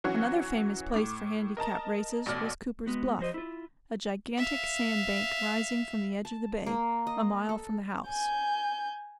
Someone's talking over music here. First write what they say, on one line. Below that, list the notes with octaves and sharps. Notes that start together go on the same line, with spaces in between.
Another famous place for handicap races was Cooper's Bluff, a gigantic sand-bank rising from the edge of the bay, a mile from the house.
E3 F#3 C#4 F#4
A2 D6
A#4 D#5 A5 A#5
A1 B2 D5 F6
G#3 B3 F#4
F3 F#4 C5 D#5
E4 F4
E5 F5
A5
A#3
D#5
A4
G#5 G6